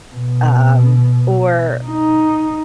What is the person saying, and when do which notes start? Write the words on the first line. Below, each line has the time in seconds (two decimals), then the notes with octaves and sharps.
um, or
0.13 B2
1.85 D#4